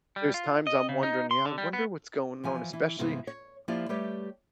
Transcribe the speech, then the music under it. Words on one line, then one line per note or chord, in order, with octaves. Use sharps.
There's times I'm wondering, yeah, "I wonder what's going on?" especially
G3
F4
D#5
C#3
D#4
C6
D3
G3
B3
E3 F3 G#5
E3 E4
G2 C3 E3 G#3 B3
C#5
F3 A#3 E4 F4 G4 D5
G3 A3 G4 B4 C#5